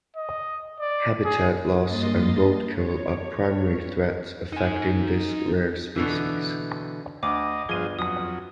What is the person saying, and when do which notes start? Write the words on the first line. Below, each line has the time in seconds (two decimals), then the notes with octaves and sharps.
Habitat loss and Roadkill are primary threats affecting this rare species.
0.16 D#5
0.80 D5
1.25 G#4
1.86 G2 A#3 D#5 C6 D#6 A6
2.70 C#5
4.52 D#4 G#5
5.96 B2 D3 E3
7.23 D2 D#5 D6
7.69 G1 F3 G#4 D#7 G7
7.99 F2 F#3 D#6